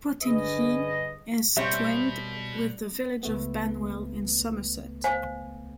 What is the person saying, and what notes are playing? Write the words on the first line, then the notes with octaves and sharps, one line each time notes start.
Potigny is twinned with the village of Banwell in Somerset.
G2 D3 G#4 B4 D#5
B2 G3 C4 C5 C#5 E5
C#2 A3 B3
C5 F5 G#5